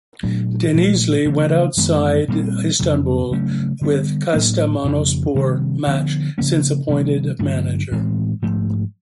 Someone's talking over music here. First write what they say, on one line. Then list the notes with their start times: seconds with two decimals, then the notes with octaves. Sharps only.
Denizli went outside Istanbul with Kastamonuspor match since appointed of manager.
0.23 A#2 F#3 A3 D4
0.74 A#2 F3 A3
1.26 C#3 E3 A3 C4
1.77 F#2 D#3 G#3 B3
2.28 A#2 G3 C4
2.80 F2 C#3 F#3
3.31 C#3 F#3 A3 C#4
3.81 D3 G3 B3
4.33 A2 F#3 A#3 D4
4.84 F2 C#3 F3
5.35 C3 D#3 G3 C4
5.87 D3 F3 G#3 B3
6.38 C#3 F3 A#3 C#4
6.89 C3 D#3 G3 B3
7.39 G2 D3 F#3 A3
7.91 A2 E3 G#3 C4
8.42 G#2 F3 A3